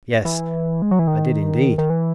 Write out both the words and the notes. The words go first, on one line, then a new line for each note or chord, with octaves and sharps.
"Yes." I did indeed.
E3
G#3
F#3
E3
D#3
D#3
E3